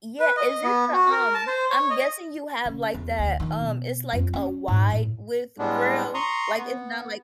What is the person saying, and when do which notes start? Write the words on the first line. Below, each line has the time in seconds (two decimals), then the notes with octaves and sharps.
Yeah, is it the, um I'm guessing you have, like, that, um, it's like a wide-width grill? Like, it's not like
0.20 B4
0.37 D#5
0.64 B3
0.93 F#4
1.11 A#4
1.34 A5
1.47 C5
1.70 C#5
1.90 D#5
2.65 C#3
2.94 E2
3.19 D2
3.40 D#3
3.59 B2
4.13 F2
4.33 C#4
4.68 G#2
4.92 A2
5.59 A2 G3 G#3 B3 D4
6.14 A#5 C6 C#6 D#6
6.58 B3